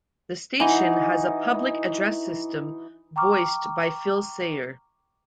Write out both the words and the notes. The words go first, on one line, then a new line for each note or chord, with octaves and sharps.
The station has a Public Address System voiced by Phil Sayer.
E3 D#4 F#4
G5 A#5 C#6 D6 F6